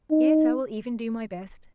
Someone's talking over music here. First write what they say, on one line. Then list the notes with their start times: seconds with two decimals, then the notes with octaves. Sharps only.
"Yet I will even do my best."
0.11 D#4